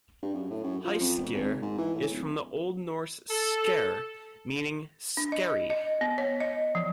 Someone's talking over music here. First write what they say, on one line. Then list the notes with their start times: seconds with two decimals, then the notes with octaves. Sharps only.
Hyskeir is from the Old Norse "sker" meaning skerry.
0.23 G2
0.34 F#2
0.51 A2
0.64 F#2
0.85 F3
1.00 F2
1.18 E1
1.34 G#1
1.62 G#2
1.79 E3
1.95 A2
2.11 D1
3.30 A4
5.17 D4
5.32 D#5
5.70 D#5
6.01 B3
6.18 C#5
6.40 D#5
6.75 F3